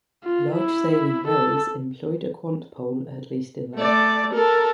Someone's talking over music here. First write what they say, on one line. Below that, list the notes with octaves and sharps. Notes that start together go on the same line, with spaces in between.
Large sailing wherries employed a quant pole at least in length.
F4
E4
A4
A3 D5
A4 A#4